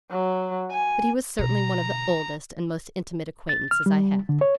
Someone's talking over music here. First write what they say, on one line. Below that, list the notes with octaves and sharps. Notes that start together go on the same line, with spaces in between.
But he was certainly one of the oldest and most intimate acquaintances I had.
F#3
G#5
B2 D3 A#5
A6
F6
G3
D3
C#5